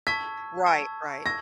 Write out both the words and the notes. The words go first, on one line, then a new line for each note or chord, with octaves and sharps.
Right, right.
A5 C#6 E6 G#6 B6
A5 C#6 E6 G#6
A5 C#6 E6 G#6 A#6